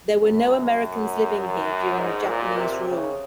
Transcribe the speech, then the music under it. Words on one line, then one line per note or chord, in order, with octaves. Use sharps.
There were no Americans living here during the Japanese rule.
F#2
F#2
G#2
A#2
C3
C#3